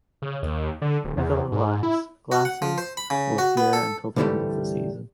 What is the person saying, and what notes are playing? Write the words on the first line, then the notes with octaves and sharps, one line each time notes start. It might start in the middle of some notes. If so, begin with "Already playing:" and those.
Nevertheless, glasses will appear until the end of the season.
C#3
D#2
D3
D1
E2
G#2
E4
F#4
F#5
F3
C5
B5
C#3
F#4
B3
A4
C2 G2 D3 E3 G3 A3